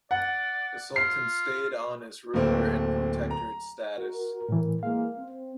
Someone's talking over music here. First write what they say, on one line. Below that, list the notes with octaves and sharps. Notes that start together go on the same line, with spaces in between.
The Sultan stayed on as ruler in protectorate status.
D5 F#5
F4 C7
D1 A3 A#3 C4
A#5
F#4 A#4
A2 E3
E3 G#3 A#3 F5
C4